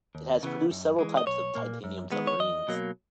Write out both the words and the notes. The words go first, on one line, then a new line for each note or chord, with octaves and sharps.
It has produced several types of titanium submarines.
D#2
C#3 E3 B3
F#2
E3 G#3
D#5
B1 C#5
A#2 A#3
F#2
D#3 G#3 B3
C#5
E2 D#5
B2 F#3 A#3